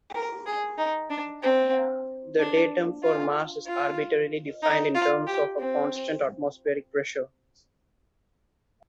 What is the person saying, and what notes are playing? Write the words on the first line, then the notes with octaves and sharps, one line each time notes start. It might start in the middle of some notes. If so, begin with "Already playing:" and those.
The datum for Mars is arbitrarily defined in terms of a constant atmospheric pressure.
A#4
G#4
D#4
D4
C4
D4
F4
F4
D#4
F4
G4
C4